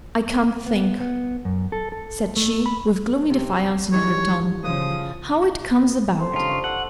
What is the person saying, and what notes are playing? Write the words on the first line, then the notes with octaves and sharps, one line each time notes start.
'I can't think,' said she, with gloomy defiance in her tone, 'how it comes about.
B3
B3
F#2
A4
A4
A3
B5
C3
G#2 E3 G3 C#5
C#3 F3 D#6
A4 C5
C#3 G3 D4 D#4 F4
C#6
A4 F#5